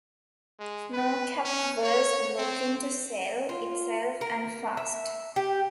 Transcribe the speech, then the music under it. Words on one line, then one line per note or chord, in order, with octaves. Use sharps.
Snocap was looking to sell itself and fast.
G#3
B4
C#4
C#5
C4
F4
A#4
E5
G4